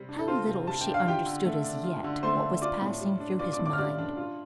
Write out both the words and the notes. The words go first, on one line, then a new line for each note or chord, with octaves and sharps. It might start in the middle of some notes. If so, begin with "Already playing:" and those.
How little she understood as yet what was passing through his mind.
Already playing: C3 G3
D4
A4
C4 F4 C5
C3
G3 A5
G5
D4
F5
F4 G4 G5
D3
A3
D4
F4
D3
A3 C5 C6
D4
F4 D5 D6
A2
G3
D4
F4 D5 D6
D5 D6
A2
D5 D6
F6
G3 D5 D6
D4
F4